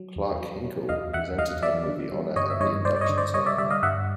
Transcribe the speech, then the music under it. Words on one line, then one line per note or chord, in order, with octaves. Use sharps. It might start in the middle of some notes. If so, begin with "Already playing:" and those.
Clarke Hinkle presented him with the honor at the induction ceremony.
Already playing: F#3
E2
F#3
F#3
E2 D#5 F5
E2 E5 F#5
E2 D#5 F5
F#3 D5 E5
D3
G3
G2 C#5 D#5
E5
G2 C#5 D#5
G2 C5 D5
D5
C#5 D#5
D3
C5 D5
G3 C#5 D#5
D5 E5
G3 D5 E5
D#5 F5
G2 E5 F#5